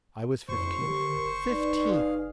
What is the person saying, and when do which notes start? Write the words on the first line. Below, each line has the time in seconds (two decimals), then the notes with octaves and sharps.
I was fifteen--fifteen!
0.49 F#1 F2 C5 C#6
0.81 D3 G4 A#4
1.15 F#1
1.49 D#4 B4 D5
1.90 G#4 F5